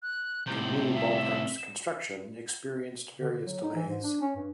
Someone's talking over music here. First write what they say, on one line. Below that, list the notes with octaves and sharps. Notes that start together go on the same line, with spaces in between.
The new ballpark's construction experienced various delays.
F#6
A2 C3 G6
E5
E7
D3
D3
F#3
D#4
E3
G#2
D4
C#4
G2